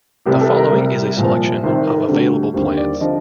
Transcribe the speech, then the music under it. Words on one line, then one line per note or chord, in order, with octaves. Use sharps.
The following is a selection of available plants.
C2 C3 G3 G4
A4
A#4
C2 C3 G3
C2 A#2 F3
C2 C3 D#3 G3 C5
C5
A#4
A4
D2 D3 G3
D#2 D3 G3 C5
D5
D3 F3 D#5